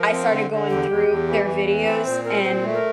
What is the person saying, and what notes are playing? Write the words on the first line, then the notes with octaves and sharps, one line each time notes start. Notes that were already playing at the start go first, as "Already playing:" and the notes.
I started going through their videos and,
Already playing: F3 A#4
C4
D3
D3
E2 G4
E2
E2
E3
E2
E3
C4 A4
A#2 C5
C4 A#4
A#2 C5
A3
A#4